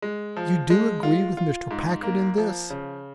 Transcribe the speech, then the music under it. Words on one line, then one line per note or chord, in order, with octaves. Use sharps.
"You do agree with Mr. Packard in this?"
G#3
F3
G#3
F4
F4
G#2
A#3
F3
C#3